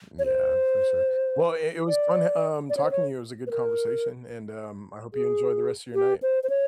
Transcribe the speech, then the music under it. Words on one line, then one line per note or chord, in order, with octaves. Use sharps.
Yeah, for sure. Well, it it was fun e um, talking to you. It was a good conversation, and, um, I hope you enjoy the rest of your night.
C#5
C5
D5
D5
C#5
C5
C#5
B4
A#4
G#4
G4
C5
C5
C#5